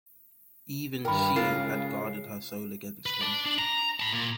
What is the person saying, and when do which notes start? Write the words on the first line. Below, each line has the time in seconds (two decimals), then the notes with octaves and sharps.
Even she had guarded her soul against him.
1.05 G2 D#3 A#4 G5 B5
1.36 C#3 G#3 F4 A#4 C7
3.06 B4
3.21 D5 A5
3.46 D4
3.59 A#5
4.00 A5 B5
4.13 A#2